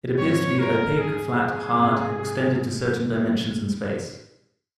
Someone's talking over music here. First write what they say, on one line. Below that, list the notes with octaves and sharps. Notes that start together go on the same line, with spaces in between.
It appears to be opaque, flat, hard, extended to certain dimensions in space.
G#2 C3 C#5
A#4
G#4
G#2 C3